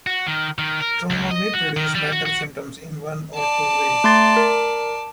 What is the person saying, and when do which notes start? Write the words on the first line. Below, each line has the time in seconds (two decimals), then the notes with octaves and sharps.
Trauma may produce mental symptoms in one of two ways.
0.07 F#4
0.27 D#3
0.59 D#3
0.80 A#4
1.10 C#2
1.31 D#5
1.53 F#4
1.77 D#3
1.95 G3
2.13 F#4
2.26 F#4
3.35 D5 A5
4.04 A3 C6 A6
4.37 A#4